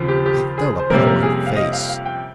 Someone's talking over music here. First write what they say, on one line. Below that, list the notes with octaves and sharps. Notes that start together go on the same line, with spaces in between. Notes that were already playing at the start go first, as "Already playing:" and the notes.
I fell upon my face.
Already playing: D#2 C#3 F3 C4
G4
G4
G#4
C5
F2 C3 G3 A#3 C#4 A#4
A#4
G#4
F5
D#5
F5
F5
G5